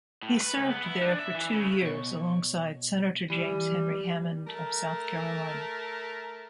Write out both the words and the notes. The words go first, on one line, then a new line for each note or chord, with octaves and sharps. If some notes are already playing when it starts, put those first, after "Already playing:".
He served there for two years alongside Senator James Henry Hammond of South Carolina.
A2
B4
C#2
B3
E4
D4
E5
E3
C#3
B2 C#5
E3 G3
A3 A#4